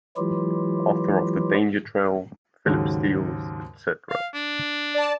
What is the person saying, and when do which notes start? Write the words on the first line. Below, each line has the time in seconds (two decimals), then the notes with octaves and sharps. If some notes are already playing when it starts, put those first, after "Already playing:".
Author of the danger trail, Philip Steels, etc.
0.17 E3 F#3 G#3 E4 F4 G4
2.66 D#2 G#2 C#3 F#3
4.10 F5
4.34 D4
4.94 D5 A5